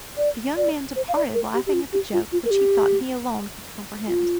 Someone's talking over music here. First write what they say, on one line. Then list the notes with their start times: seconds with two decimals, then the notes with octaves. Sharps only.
The young man departed, laughing at the joke, which he thought he alone could comprehend.
0.17 D5
0.57 D5
0.96 C5
1.08 F5
1.16 D5
1.34 A#4
1.54 G4
1.67 G4
1.73 F4
1.93 G4
2.13 F4
2.32 F4
2.45 A#4
2.51 G4
4.07 F4